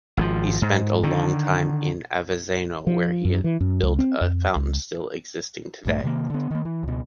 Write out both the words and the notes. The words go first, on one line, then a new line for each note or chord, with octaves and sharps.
He spent a long time in Avezzano where he had built a fountain still existing today.
G#1 D#3 F3
G#2
D3 D#3
F3
F#2
E3
F#2
C#2
C4
F2
C#2
A#1 G2 A3
C3 D#3 F#3 A#3
D3 B3
D#3 A#3
E3
C#2 B2